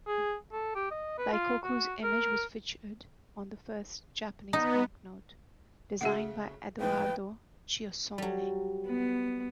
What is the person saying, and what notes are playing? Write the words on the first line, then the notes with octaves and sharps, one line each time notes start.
Daikoku's image was featured on the first Japanese bank note, designed by Edoardo Chiossone.
G#4
A4
G4
D#5
B4
F4
F#4
A#4
B3 D#4
C#3 A3 F#4 G#4 E5 F#5
B1 A2 F3 B4 G5
F#3 G3
B3